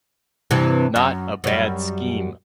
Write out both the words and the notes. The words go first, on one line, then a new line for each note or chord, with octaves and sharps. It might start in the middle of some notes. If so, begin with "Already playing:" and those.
Not a bad scheme.
G2 C3 E3
F#2
F#2 G3